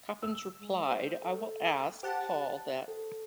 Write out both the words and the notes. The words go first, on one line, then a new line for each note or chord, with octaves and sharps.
Coppens replied: I will ask Paul that ...
E6
G#3
C5
A4
G4 C5 F#5 A5
A4